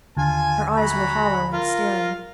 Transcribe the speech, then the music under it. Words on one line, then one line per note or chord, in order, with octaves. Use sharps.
Her eyes were hollow and staring.
D#2 D3 F4 G#5 A5
F#4 G#5 A#5 B5
F4 A#4